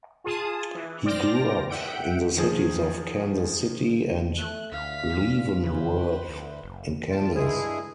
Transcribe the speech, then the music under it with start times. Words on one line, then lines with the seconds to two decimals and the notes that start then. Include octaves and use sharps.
He grew up in the cities of Kansas City and Leavenworth in Kansas.
0.24 F4 G#4 A5 D#6
0.75 E3
1.05 C5 D5 G5 D6 F6 A#6
1.70 E5 F#5 G5 D7
2.37 D#3 F3 G#4
4.39 A3 F#6
4.72 D2 F5 B6
5.10 A#2
5.64 C#3 B4 C5
6.28 D2
6.63 F#1
7.10 F4 G5 A5
7.35 G2 G#3 E4 G#4